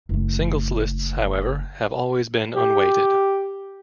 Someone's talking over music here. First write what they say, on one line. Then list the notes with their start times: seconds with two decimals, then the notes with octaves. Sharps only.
Singles lists, however, have always been unweighted.
0.09 F#1 A3
2.55 G4